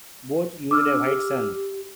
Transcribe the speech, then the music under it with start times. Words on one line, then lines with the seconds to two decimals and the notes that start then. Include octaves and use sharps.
Both used a white sun.
0.71 D4 D6 E6 F6
1.06 G4